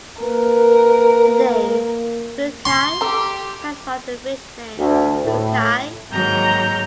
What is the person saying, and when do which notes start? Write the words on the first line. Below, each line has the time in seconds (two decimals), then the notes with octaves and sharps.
The name "Rukai" comes from the village name "Rukai".
0.22 A#3 A#4 B4
2.65 C6
3.01 G4 A4 A#5
4.78 D2
5.24 A2
6.12 G#2 D#3 F#3 A#3 A#5 G6